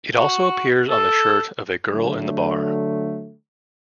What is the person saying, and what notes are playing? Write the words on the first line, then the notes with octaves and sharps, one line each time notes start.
It also appears on the shirt of a girl in the bar.
F#4
A4
D3 F#3 A3